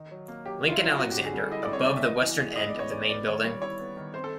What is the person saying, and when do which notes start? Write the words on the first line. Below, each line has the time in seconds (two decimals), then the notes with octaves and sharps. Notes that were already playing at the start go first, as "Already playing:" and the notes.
Lincoln Alexander, above the western end of the main building.
Already playing: D#3 D#4
0.11 F#3
0.28 A#3
0.46 F#3 G4
0.64 D#4 F4
0.72 E4
0.81 F#3 F4
0.93 G4
0.98 C4 F#4
1.11 D3 G4
1.25 G#4
1.34 G3 A4
1.51 E4 D#5
1.62 D5
1.68 C4 C#5
1.85 D3 D5
1.97 E5
2.03 B3 D#5
2.21 E3
2.39 G#3
2.56 E4 D#5
2.68 D5
2.75 B3
2.80 C#5
2.90 E3 D5
3.09 B3 D5
3.26 D#3 C#5
3.44 G3 C#5
3.62 E4 C#5
3.79 B3
3.97 D#3
4.14 C4 C5
4.24 A4